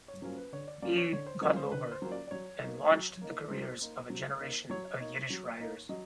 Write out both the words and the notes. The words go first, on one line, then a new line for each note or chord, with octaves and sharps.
B. Gotlober, and launched the careers of a generation of Yiddish writers.
C#5
F#3 A#3 C#4 F4 C5
B4
D3 C#5
D5
F#3 A#3 C#4 F4 D5
C#5
D3 C#5
C5
F#3 A#3 C#4 F4 C#5
C5
D3 B4
C5
F#3 A#3 C#4 F4
D5
D5
F#3 C#5
A#3 D#4
F#3
A#3 D#4
F#3 C5
A#3 D#4
F#3
A#3 D#4
F#3 C#5
A#3 D#4
F#3
A#3 D#4
F#3 D#5